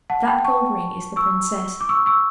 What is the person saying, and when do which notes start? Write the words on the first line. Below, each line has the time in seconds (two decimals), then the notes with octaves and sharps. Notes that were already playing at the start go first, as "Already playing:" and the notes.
That gold ring is the princess.
0.10 F#5 A5
0.23 A5
0.27 G5 B5
0.44 A5 C#6
1.16 C#6 E6
1.81 D6
1.89 C#6 E6
2.06 C#6 E6